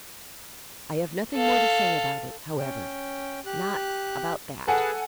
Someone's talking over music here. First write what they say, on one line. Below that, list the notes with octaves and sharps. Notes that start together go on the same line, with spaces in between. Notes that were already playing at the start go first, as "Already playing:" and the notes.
I have nothing more to say about it, however;--not about that.
A4 F5
C#4 G5
G4 F#6
G#4 A4 B4 F#5 G#5 A5